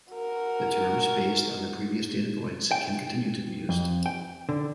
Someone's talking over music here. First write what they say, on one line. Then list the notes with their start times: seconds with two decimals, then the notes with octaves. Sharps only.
The terms based on the previous data points can continue to be used.
0.13 F#4 A#4
2.71 G5
3.69 F2
4.06 G5
4.49 D3